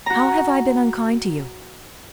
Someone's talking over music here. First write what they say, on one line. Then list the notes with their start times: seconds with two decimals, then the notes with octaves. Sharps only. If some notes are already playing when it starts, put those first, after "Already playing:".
"How have I been unkind to you?"
0.06 F#4 A#5